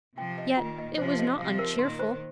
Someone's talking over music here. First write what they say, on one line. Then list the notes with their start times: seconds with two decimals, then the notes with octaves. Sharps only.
Yet it was not uncheerful.
0.17 C3 F3 G5
0.38 D#5
0.57 A#2 D#3 F4
0.78 D#5
0.98 C3 F3 C5
1.19 D#5
1.38 C3 F3 F5
1.59 A#4
1.79 A#2 D#3 C6
1.99 C5